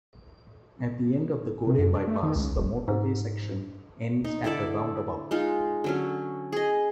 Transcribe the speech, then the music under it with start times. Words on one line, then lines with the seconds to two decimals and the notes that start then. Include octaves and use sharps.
At the end of the Gorey bypass the motorway section ends at a roundabout.
1.67 C3
1.79 F#2
1.95 D4
2.07 A3
2.23 D#3
2.36 C#2
2.56 E1
2.88 G#2
4.24 D#4
4.44 D3 E4 A4 D5
5.31 G#3 D#4 F4
5.84 D3 F#3 C#4
6.53 G#4 D#5